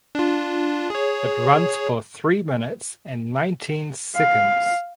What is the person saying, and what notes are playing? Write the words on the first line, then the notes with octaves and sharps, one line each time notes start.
It runs for three minutes and nineteen seconds.
D4 F4
G#4 C#5
F5